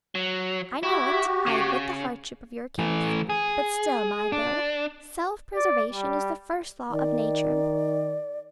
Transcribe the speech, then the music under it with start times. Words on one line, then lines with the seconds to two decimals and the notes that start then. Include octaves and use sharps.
I know it; I admit the hardship of your case; but still, my Bill, self-preservation is the first law of nature.
0.15 F#3
0.83 E4 F#4 G4
1.47 C#3
2.79 E3 A3
3.29 G#4
4.32 D4
5.55 D5
5.92 G3
6.92 D#3 D5